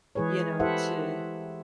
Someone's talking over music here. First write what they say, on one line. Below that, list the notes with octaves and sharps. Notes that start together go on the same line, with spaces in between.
you know, to
E3 G#3 G#4 B4 C#5
E4 G4 A4 C5 E5 F#5